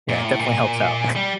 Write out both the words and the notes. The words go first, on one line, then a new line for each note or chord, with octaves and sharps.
Yeah, it definitely helps out.
A#2
A2
A#2
G3